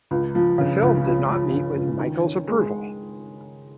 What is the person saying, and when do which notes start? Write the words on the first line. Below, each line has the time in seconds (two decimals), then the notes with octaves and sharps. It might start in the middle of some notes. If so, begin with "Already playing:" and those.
The film did not meet with Mykle's approval.
0.11 C#2
0.35 F3
0.58 C#3
0.82 C#2
1.06 C#2
1.30 F3
1.53 C#3
1.76 C#2
2.00 D#3
2.24 C#4
2.48 G#3